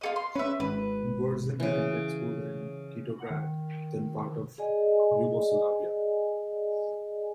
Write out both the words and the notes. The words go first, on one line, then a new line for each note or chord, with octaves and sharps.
Burzan attended school in Titograd, then part of Yugoslavia.
F4 A4 D#5
C6
C#4 B4 E5
G#1 B4
C#3 E3
D#3
G#4 D5 D#5 G#5